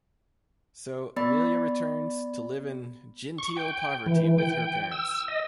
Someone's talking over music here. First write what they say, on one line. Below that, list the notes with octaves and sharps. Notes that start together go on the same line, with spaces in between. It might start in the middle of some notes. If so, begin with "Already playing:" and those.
So Amelia returns to live in genteel poverty with her parents.
B3 D5 B5 A6
C#6
G5
E3
G5
E6
D#5